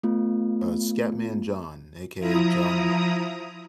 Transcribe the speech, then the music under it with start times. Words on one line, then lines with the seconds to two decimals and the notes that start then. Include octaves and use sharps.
Uh, Scatman John, AKA John Lar
0.03 A3 B3 F4
2.19 F3 E4 A#5 D#6